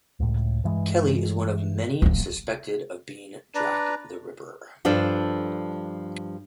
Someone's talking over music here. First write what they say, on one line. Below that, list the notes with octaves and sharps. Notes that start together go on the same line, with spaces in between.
Kelly is one of many suspected of being Jack the Ripper.
C#2 A2
G2 E3 G#3
D1 A1 F3
D4 B4 D5 A#5
G2 F3 D4 A4